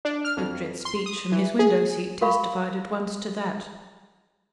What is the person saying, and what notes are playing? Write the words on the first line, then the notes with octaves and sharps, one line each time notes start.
Ughtred's speech from his window seat testified at once to that.
D4
F6
F2
C6
D#6
E3
G#4
F#4 A#4 F5 B5 C#6